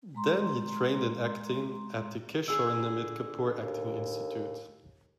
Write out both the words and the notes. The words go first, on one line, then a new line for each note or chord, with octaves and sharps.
Then he trained in acting at the "Kishore Namit Kapoor Acting Institute".
G#3 A#5 C6
D3 G#4 E6
D#2